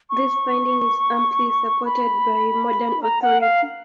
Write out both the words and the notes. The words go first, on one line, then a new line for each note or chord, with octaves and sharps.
This finding is amply supported by modern authority.
C#6
B5
A#5
F#5
F5